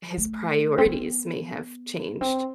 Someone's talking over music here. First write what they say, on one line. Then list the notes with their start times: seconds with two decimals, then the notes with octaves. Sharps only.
his priorities may have changed.
0.18 A3
0.78 C4
0.86 B3
2.21 C4